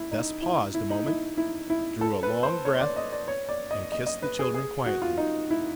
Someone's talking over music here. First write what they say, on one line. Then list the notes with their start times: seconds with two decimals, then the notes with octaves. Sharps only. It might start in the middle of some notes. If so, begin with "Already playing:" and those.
Bess paused a moment, drew a long breath, and kissed the children quietly.
Already playing: E4
0.11 D#4
0.42 E4
0.74 E4
0.90 D#4
1.06 E4
1.38 E4
1.70 E4
2.01 A4
2.23 B4
2.43 C5
2.65 C#5
2.80 D5
2.96 D#5
3.12 D5
3.28 C#5
3.49 D5
3.71 D#5
3.92 D#5
4.07 D#5
4.22 B4
4.39 G#4
4.54 G#4
4.86 F#4
5.02 F4
5.18 D#4
5.50 E4